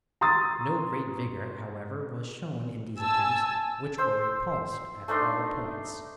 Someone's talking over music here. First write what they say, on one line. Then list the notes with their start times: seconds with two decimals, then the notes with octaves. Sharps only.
No great vigour, however, was shown in these attempts which were repulsed at all points.
0.21 A#5 C6 C#6 D#6 E6 A6
2.99 G#5 A5 E6
3.98 C5 E6
5.08 A3 D4 D#4 C6